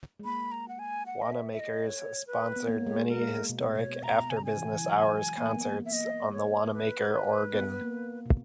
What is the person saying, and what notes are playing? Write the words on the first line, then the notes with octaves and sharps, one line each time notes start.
Wanamaker's sponsored many historic after-business-hours concerts on the Wanamaker Organ.
G#3
A#3 B5
A#5
F#5
G#5
F#5
D#5
E5
E5
D#5
C#5
B4
B3
A#3 C#5
G#3
A#3
A#4
G#3
B2
B2 C#5
B2 A#5
C#3 G#5
A#5
G#5
E3
E3
F#3
G#3
A#3
B3
A#3
E5
A#3 D#5
C#5
B4
B3
A#3
B2